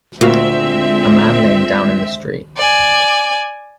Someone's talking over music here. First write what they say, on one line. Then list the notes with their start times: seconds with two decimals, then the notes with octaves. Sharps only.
A man laying down in the street.
0.21 D2 A#2 G#3 C4 F4 F#4 E5 F5
2.57 D5 G#5